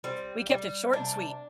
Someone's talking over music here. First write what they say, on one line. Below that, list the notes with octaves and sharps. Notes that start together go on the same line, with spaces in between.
"H we kept it short and sweet,"
G3 C4
G3
C3 D4